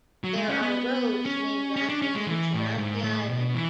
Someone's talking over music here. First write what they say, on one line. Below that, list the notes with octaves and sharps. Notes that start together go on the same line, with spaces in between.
There are roads named after him throughout the island.
F#3
G#3
C#4
B3
C#4
C#4
D4
C#4
G#3
E3
A2
G#2
A2
B2
E3